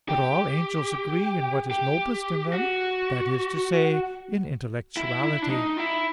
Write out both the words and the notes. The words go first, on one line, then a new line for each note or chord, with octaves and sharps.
But all angels agree in what is noblest in them--that is to say, in intellectuality.
G4
G4
F#4
E4
E4
D4
D#4
E4